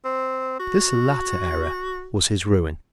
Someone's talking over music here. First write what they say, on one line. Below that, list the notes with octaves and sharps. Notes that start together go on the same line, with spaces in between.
This latter error was his ruin.
C4
F#4